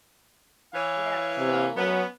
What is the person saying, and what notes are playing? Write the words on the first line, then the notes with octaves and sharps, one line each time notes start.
Yeah, so
E3 C#5 F5
C3
F#3 B3 C#4